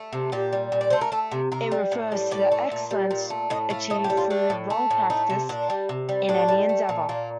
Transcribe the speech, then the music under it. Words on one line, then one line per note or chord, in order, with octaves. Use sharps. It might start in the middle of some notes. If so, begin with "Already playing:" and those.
It refers to excellence achieved through long practice in any endeavor.
Already playing: A3
C3
A#2 G4
G3
A#2
D5
A3 C5
A#4
A3 A4
C3
C3 A#4
G3
A2
G3
A2 D5
A3
A#2
G3
A#2
A3
A2 D#5
A3 F5
A2 D#5
G4
G3
F4
A3 D4
A2
A3
A2
A3 D#4
C3
A#2 D4
G3
C3
G3
A2 D4
G3
A3
A#2
A#2 A#3